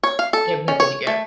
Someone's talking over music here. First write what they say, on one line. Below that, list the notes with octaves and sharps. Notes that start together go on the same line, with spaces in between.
You have nothing to give.
C#5
F5
A4
C#4
C#5
A3